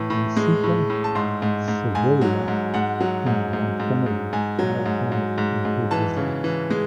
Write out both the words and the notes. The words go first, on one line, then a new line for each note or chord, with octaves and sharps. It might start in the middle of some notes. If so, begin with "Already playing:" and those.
Laiseka, Sevilla and Montgomery all have a good result.
Already playing: A2 E3
A2
G#3
A2
A2
A5
G#2 C6
G#2
G#2
G#2 G#5
F#3
G#2
G#2 F#5
F#3
G#2
G#2
G#2
G#2
G#2 G#5
F#3
G#2
G#2
G#2
G#2
E3 A5
C#3
E3
G#3